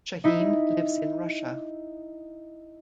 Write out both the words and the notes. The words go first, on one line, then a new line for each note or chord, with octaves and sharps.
Shaheen lives in Russia.
D#4 E4